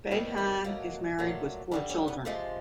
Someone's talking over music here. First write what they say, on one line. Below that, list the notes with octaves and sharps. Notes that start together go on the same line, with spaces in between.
Behan is married with four children.
E2 C3 D#3 G3 B3
A3
B2 F#3 A3 A#3
A#2 F#3 A3
G2 D3 G3 D4
C#4
B3
C3 F3 G#3 A3